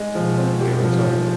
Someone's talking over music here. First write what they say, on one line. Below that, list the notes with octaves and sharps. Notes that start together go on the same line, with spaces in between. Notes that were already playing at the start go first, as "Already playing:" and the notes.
Yeah, real talk.
Already playing: G#3
B2 F3
C4
G4
F3
F3